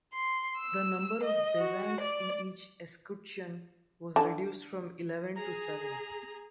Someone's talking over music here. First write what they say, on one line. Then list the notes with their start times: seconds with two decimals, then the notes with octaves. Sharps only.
The number of bezants in each escutcheon was reduced from eleven to seven.
0.13 C6
0.59 E6
1.24 D#5
1.58 F#4
1.99 D5
4.16 D3 A5
5.36 G#4 A#5